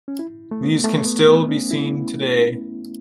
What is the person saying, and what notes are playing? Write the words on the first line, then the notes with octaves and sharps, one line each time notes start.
These can still be seen today.
C#4
E4
A3
B3
A3
B3
B3
C#4
E4